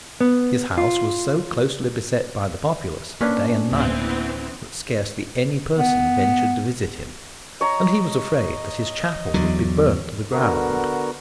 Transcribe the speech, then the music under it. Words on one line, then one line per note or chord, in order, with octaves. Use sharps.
His house was so closely beset by the populace, day and night, that scarcely any person ventured to visit him; and he was afraid that his chapel would be burned to the ground.
B3
F4
A#3 C#4 D4 B4
D1 E3 A3 B3 C4
B3
C#5 D#5 A#5
E2 D3 F#3
D3 B3 F#4 A#4